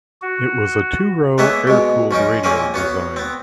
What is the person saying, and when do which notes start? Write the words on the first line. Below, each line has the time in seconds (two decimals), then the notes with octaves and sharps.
It was a two-row, air-cooled radial design.
0.22 F#4
1.38 G#3 A#3 B3 B4 C#5 E5
1.67 B2 G#3
2.11 F3 C#4 D#4 A#4
2.43 A#1 A#3 C4 C#4 A#4 G#5
2.74 B3 F#4 C#5 F5
3.16 B3 C4